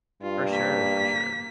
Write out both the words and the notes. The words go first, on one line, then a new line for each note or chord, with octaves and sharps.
For sure, for sure.
G2 F4
A#3 B6